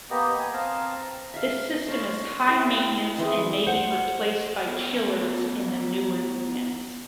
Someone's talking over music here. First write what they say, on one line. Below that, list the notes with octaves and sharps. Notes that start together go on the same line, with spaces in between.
This system is high maintenance and may be replaced by chillers in newer units.
A#3 B3 G4 D#5
G#5
C4 F5 A5 A#5
E5 F5
C5 C#5 F5 A5
E4 G4 A#4 G5
E3 C4 E4 G#4
C5 F#5
B3 A4 A#4